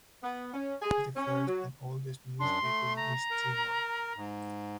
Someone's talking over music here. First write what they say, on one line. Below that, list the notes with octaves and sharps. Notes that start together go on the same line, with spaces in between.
It is the first and oldest newspaper in East Timor.
B3
C#4
G#4
C#4
F#3
F#2 D4 C6
A3
A#5
A#4
G#2